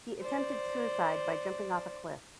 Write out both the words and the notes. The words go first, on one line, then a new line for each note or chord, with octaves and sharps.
He attempted suicide by jumping off a cliff.
C5 D5